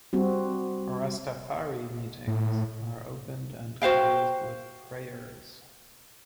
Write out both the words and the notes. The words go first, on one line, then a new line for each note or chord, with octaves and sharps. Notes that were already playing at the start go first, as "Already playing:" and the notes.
Rastafari meetings are opened and closed with prayers.
G3 C4 F#4
A2
F#4 C5 F5 G5